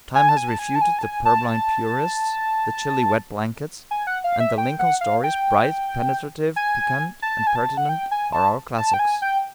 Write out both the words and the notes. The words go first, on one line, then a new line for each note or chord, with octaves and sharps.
Time has refuted the purblind purists, the chilly "wet-blankets"; and the Lincoln stories, bright, penetrative, piquant, and pertinent are our classics.
G#5
A5
G#5
A5
G#5
A5
G#5
A5
G#5
A5
G#5
F#5
F5
E5
G5
F#5
F5
G5
G#5
A5
G#5
A5
F#5
G5
G#5
A5
A5
G5
G#5
G5